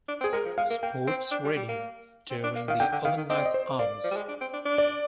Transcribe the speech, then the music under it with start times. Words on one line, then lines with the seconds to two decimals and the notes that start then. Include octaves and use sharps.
Sports Radio during the overnight hours.
0.08 D4
0.21 C4
0.24 G#4
0.33 G#3 A#4
0.45 F3
0.58 G#3 F5
0.70 A#3
0.83 A#3 G5
1.07 C4
1.32 D4
1.45 G3
1.57 G3
1.68 A#3
2.30 C4
2.44 D4
2.56 A#3
2.68 D#3 F5
2.80 D3 G5
2.92 D3
3.05 D#3 F5
3.17 D#3
3.30 C4 D#5
3.38 D5
3.46 D#5
3.54 C5
3.79 A#3 D5
4.04 F3
4.11 G3
4.17 G#3
4.29 D4
4.41 C4
4.54 D4
4.66 D4
4.78 D5